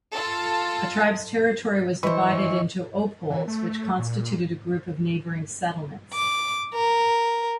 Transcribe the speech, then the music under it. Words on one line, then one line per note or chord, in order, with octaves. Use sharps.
A tribe's territory was divided into "opoles", which constituted a group of neighboring settlements.
F4 A4
E3 B4 C5 D#5 C#6
E3
A3
A#2
D6
A#4